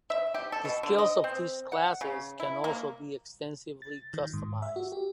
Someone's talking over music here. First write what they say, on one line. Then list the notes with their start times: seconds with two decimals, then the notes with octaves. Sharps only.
The skills of these classes can also be extensively customised.
0.10 E5
0.34 G4
0.52 A4
0.65 B2
0.83 D3
0.98 D#5
1.24 C4
1.72 F#5
2.01 C#3
2.40 E4
2.64 A#3
3.82 A6
4.14 D#3
4.33 G#2
4.62 E5
4.76 F#4
4.92 G4